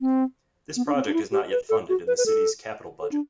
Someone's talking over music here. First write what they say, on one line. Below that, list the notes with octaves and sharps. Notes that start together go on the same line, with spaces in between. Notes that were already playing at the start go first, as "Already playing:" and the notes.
This project is not yet funded in the City's Capital Budget.
C4
B3
D4
C4
D4
E4
G4
B4
A4
F#4
B4
B4
A4
A4
D4